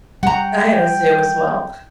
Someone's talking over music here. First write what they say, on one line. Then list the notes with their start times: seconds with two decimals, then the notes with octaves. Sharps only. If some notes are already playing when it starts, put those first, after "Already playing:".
I had a zoo as well.
0.23 G3 F#5 G5 A#5